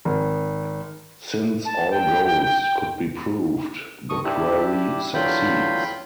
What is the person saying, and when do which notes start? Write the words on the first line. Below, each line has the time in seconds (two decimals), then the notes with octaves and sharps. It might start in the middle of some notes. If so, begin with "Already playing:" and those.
Since all goals could be proved, the query succeeds.
0.05 G#1
1.65 A5
1.91 G5
4.10 G2 C#6 D#6
4.25 D4 E4 G4
5.14 E2 D3 F#3 F4 G5 B5